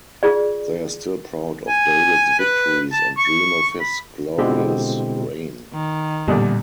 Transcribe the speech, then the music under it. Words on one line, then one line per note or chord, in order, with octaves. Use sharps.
They are still proud of David's victories and dream of his glorious reign.
F4 G#4 D5
G#5
B4
A5
C#6
B5
B2 D3 G#3 C4 E4 G4
D#3
A1 E2 A#2 D3 G3 D4